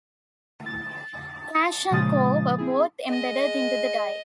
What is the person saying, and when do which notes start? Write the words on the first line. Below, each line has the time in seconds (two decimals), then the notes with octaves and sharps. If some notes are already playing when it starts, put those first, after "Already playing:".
Cache and core were both embedded into the die.
0.66 A6
1.91 A#2 C#3 F3 G#3 D#6 A6
2.58 C4 E4 G#4
3.09 G#3 D#5